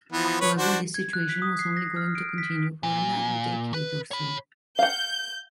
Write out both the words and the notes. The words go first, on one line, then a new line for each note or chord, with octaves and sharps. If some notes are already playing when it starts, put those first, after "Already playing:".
However, this situation was only going to continue for another decade or so.
E3 F3 B3
B4 C#5
D4 F#4 C5
G#6
F#6
B6
D#6
C7
A#6
F6
D7
B6
A#2
B4
C#5 B5
F5 F#5 G6